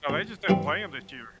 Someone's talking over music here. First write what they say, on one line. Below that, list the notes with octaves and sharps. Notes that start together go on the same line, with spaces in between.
No, they just didn't play him this year.
A1
G2 E3 G3 C4